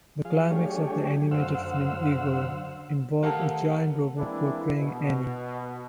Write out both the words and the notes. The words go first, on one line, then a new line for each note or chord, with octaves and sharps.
The climax of the animated film "Igor" involved a giant robot portraying Annie.
F3 G#4 F5
F#3 A3 D4 G4 G#4 C#5
F#2 D3 C5 F5 F#5 E6
D#3 A3 A#3 G4 A4 A#4 F5 F#5
E3 G#3 A#3 C4 D4 E4
B2